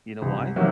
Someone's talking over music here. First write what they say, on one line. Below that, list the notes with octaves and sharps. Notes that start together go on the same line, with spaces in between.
You know why?
C2
C3 D#3 F#3 A#3